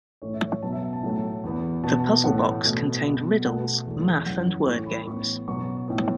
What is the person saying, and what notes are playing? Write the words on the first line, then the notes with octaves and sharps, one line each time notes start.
The Puzzle Box contained riddles, math and word games.
A2 E3 A3 C#5
E5
C#5
B2 F#3 B3 A5
E5
E5
A5
A2 F#3 A3
E2 E3 B3
B2 B3 A5
A2 E3 A3 F#5
B2 A3
B2 B3
B2 A3 F#5
E2 E3 A3
F#2 C#3 E3 F#5
A2 E3 A3 C#6
B5
A2 E3 B3 C#6
B2 F#3 B3 C#6
A2 E3 B3